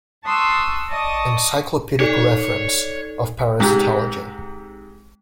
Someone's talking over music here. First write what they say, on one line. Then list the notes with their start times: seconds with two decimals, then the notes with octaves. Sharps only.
Encyclopedic Reference of Parasitology.
0.25 A5 C6 C#6 D#6 E6 F#6
0.90 D5 D#5 A5 C#6 D#6
2.00 D#4 A4 C#5 D5
3.60 G#2 C3